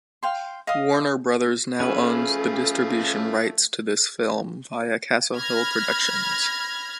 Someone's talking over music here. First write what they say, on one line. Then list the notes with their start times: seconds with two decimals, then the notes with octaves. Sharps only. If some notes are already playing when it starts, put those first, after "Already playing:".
Warner Brothers now owns the distribution rights to this film via Castle Hill Productions.
0.23 F5 G5 C6
0.67 D#5 F5 D#6
1.80 F3 A3 C#4 G#4 B4 F5
5.37 B5 F6 G#6 A#6